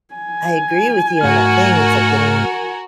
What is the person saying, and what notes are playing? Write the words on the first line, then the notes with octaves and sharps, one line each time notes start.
I agree with you on that thing, it's like getting,
G#5
G#2 A3 F#4 A#4 F6